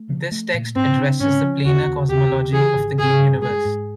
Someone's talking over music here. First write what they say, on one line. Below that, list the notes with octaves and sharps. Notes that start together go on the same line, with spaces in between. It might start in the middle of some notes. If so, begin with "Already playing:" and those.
This text addresses the planar cosmology of the game universe.
Already playing: A3
F3
A3
A#2
G#2 C4
D4
G#2 C#4
F3
D#2 F#4
D#2
D#2 G4
D#2
E3 G#4
G#1
G#1 G#4
G2
G#3 G#4
G#2